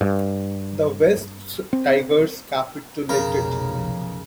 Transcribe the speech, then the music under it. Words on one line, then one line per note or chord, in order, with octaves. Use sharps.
The Wests Tigers capitulated.
G2
C4
F1 B1 C#3 A#4